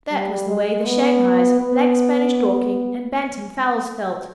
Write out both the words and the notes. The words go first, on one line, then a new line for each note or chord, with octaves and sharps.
That was the way the Shanghais, Black Spanish, Dorking, and Bantam fowls felt.
G3
G#3
B3
B3